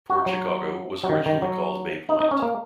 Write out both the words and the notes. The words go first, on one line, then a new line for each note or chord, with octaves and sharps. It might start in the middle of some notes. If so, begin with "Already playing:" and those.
Port Chicago was originally called Bay Point.
F#4
F#3
F#3
D#3
D#3
F#3
D#4
D#4
C#4
A#3